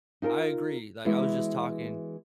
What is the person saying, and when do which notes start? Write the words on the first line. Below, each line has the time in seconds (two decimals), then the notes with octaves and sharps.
I agree, like, I was just talking
0.22 D#4 F4 A4 A#4
1.05 E3 G#3 B3 E4 F#4